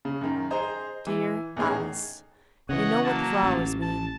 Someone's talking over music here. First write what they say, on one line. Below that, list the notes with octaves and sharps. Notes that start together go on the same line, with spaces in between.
DEAR ALICE, You know what the flowers mean.
C#3
F#2 D#3
G#4 C5 D#5 A#5
E3
E2 A2 D#3 C#4 D#4 G#4
C#3 E3 C#5 D#5 F#5
F#3 A#3 A5
A1
A5